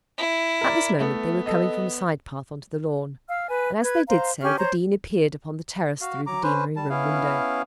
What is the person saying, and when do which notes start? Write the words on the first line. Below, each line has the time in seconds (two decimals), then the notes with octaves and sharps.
At this moment they were coming from a side path on to the lawn, and as they did so the Dean appeared upon the terrace through the deanery room window.
0.18 E4
0.61 A#4 D5
1.01 A3 B3
1.46 A4 D#5
3.29 F5 E6 F6
3.49 B4 G#5
3.82 B4 G#6
4.08 C5 F5 A#5
4.42 C#4 G4 C#6 F6
4.58 C5 C#5 A#5 C6
6.01 F#4 F5
6.27 F#3 A#5 D6
6.43 C#4 B4 C5
6.76 G3 A5
6.90 B3 C#4 E4 F5